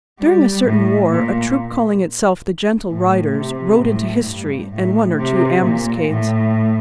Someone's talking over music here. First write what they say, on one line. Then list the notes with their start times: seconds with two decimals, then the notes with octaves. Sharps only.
During a certain war a troop calling itself the Gentle Riders rode into history and one or two ambuscades.
0.20 G3
0.66 A2
1.11 A#2
2.91 A2
3.37 C3
3.82 A2
4.27 G2
4.72 A2
5.17 C3
5.62 A#2
6.07 A2